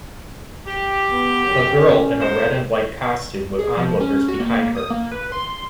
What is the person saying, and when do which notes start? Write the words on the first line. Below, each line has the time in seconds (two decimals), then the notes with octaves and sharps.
A girl in a red and white costume with onlookers behind her.
0.66 G4
1.11 B3
1.45 F#2 C#3
1.76 C#4
2.20 E2 G#3 C5
3.59 G#4
3.77 F3
4.00 C#4
4.28 F#4
4.40 A#3
4.75 D#6
4.90 A#3
5.12 B4
5.32 C6